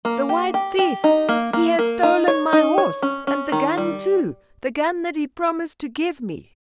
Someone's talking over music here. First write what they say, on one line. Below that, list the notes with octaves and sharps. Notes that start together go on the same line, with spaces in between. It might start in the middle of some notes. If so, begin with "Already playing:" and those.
"The white thief, he has stolen my horse, and the gun too, the gun that he promised to give me."
A#3
G4
G4
G4
D#4
A#3
A#3
A#3
D#4
C#5
D#4
C#5
C#4
C#4
D#3
G3